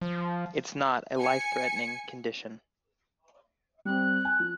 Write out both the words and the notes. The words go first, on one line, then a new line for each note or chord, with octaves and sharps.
It is not a life-threatening condition.
F3
G#5 C#7
G3 C4 F#6
G#5
F3